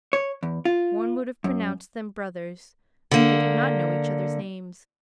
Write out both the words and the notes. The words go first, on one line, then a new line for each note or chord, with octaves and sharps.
One would have pronounced them brothers, but they did not know each other's names.
C#5
E2
F4
F#2
D3 A#3